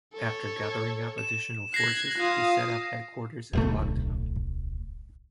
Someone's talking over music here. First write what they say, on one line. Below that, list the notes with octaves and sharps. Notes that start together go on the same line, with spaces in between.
After gathering up additional forces, he set up headquarters at Lugdunum.
A4 C#5
E7
F#6 G#6 A#6 C7
F4 F5 D#6
D1 B1 A3